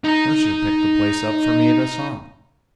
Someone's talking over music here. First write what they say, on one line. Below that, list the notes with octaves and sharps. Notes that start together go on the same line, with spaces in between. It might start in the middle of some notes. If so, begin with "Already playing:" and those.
Mercer picked the place up for me at a song.
D#4 A#5